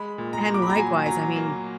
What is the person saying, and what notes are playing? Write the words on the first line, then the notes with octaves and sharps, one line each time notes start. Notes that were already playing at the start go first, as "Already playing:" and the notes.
and likewise, I mean
Already playing: G#3 B5
A#2
A#5
A#2
D6
B5
A#5
F#3 G#5
F#3 A#5
A#3